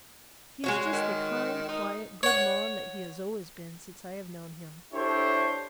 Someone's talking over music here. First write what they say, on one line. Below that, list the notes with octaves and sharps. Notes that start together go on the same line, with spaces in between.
He is just the kind, quiet good mon that he has always been since I have known him.
G#3 F#4 C#5
D#3
D#4
C#5 F#5
D4 E4 G4 A4 C5 C#5